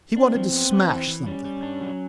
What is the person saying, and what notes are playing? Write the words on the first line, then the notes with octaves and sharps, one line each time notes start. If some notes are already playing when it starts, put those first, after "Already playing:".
He wanted to smash something.
C4 D4
F3
B3
B3
E3
E3
G3 C#4
G3
D4
F#3